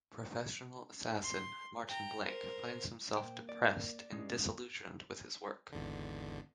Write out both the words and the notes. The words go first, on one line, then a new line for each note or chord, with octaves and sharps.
Professional assassin Martin Blank finds himself depressed and disillusioned with his work.
C6
G5 A#5
A#4 C5
A#2 A#3 C5 G5
D5
G2 G#3 C#4 D#4
G#1 E2 D3